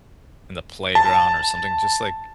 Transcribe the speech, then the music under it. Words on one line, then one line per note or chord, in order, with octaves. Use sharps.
in the playground, or something, just, like
A5